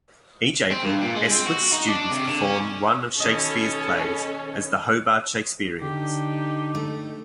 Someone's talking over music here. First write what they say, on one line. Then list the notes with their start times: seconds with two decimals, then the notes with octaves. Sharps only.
Each April, Esquith's students perform one of Shakespeare's plays as "The Hobart Shakespeareans".
0.72 C4
0.83 G2
1.02 A#2
1.16 G#3
1.31 C4
1.47 F#4
1.72 D#4
1.88 D4
2.11 C3
2.28 D3
2.43 C#4
3.20 D#2 B2 C#4 A4 D#5
5.82 D3 D4 D#4 G4
6.75 A3